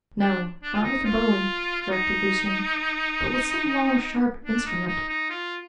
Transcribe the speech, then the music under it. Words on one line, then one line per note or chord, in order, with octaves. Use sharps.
"No, not with a bowie," corrected Lucian, "but with some long, sharp instrument."
D4
D4
F4
D#4
F4
F4
D#4
D4
D#4
D#4
D#4
F4